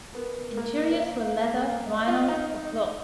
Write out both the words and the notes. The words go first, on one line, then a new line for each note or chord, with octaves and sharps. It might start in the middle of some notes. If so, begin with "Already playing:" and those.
Interiors were leather, vinyl or cloth.
B3 A#4
A#3
F5
A#3
D#5
F4
D#4